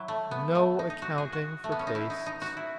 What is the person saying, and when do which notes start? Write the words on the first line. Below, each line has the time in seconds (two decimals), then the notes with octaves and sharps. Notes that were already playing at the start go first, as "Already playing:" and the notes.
No accounting for tastes!
Already playing: F#3 E4
0.08 A3
0.31 B3
0.55 A3
0.79 D#4
0.90 D#4
1.02 F#4
1.18 G#4
1.33 F#4
1.64 A3
1.72 B3
1.79 C#4
1.87 D#4
1.95 E4
2.10 D#4
2.26 D#4
2.42 F#4
2.57 E4